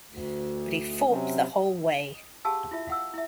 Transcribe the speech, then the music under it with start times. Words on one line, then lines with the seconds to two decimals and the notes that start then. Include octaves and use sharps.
But he fought the whole way.
0.10 D2
1.09 C3 F#3 C4 C#4
2.45 G4 G#4 F5 F#5 A5 E6
2.71 E4 F4 E5
2.88 F5 F#5 E6
3.14 E4 E5